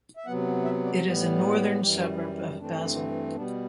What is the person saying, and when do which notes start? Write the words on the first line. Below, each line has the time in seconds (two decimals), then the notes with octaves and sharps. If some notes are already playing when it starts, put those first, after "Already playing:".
It is a northern suburb of Basel.
0.17 E5
0.26 C3 F#3 B3 F#5
0.64 E5
0.85 D5
1.03 A2 G3 B3
1.81 F#2 E3 G3 G4
2.01 F#4
2.20 E4
2.39 E4
2.58 G2 E3 A3 C4 D4
3.35 B2 G3 B3 D4